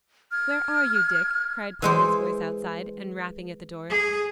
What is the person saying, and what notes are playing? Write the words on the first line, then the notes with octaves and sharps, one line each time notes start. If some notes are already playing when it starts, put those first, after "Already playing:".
"Where are you, Dick?" cried Polly's voice outside, and rapping at the door.
F6 G#6
E3 G#3 C5
G#4